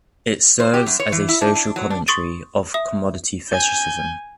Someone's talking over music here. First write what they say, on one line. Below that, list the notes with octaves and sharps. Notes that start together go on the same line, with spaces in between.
It serves as a social commentary of commodity fetishism.
C5
G4
F#2
C#5
E3
E4
D4
D4
F#3
D4
C6 C#6 D#6 A6
E5 D#6
G#5 G6